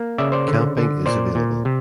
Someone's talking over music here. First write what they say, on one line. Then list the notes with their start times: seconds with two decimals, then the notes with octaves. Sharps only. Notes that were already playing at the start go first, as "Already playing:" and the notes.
Camping is available.
Already playing: A#3
0.18 C#3 D5 E5
0.32 C5 D5
0.48 D3
0.77 D3
1.06 A#2 C5 D5
1.35 A#2
1.65 C3